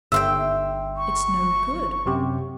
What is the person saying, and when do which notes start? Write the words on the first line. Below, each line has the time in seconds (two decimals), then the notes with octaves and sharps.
"It's no good."
0.12 G1 E5 F5 G5 C6 E6
0.97 C#6
2.06 F#2 C3 G4